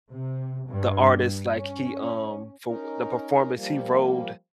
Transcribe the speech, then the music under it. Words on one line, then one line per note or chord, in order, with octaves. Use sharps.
the artist, like, he, um for the performance he rode
C3
G2
C#4
C#4 D#4 A#4
F3 G3 A#3